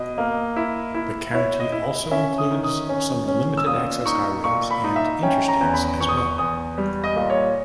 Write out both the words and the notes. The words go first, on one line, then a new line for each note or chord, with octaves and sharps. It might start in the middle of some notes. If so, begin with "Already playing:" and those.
The county also includes some limited access highways and Interstates as well.
Already playing: B2 D#5
A#3
E4
E4
E4 C#5
D#5
E4
C#4 E5
D#6
D#3
D#6
C#4
C#4
E6
A#2 D#6
D#4 C#6
A#2 C#6
B5
D#4
E5
C#4 G5
A#5
E2
B5
E2 C#6
D#6
C#6
E2 D#6
G3
D#5
A#2
C#5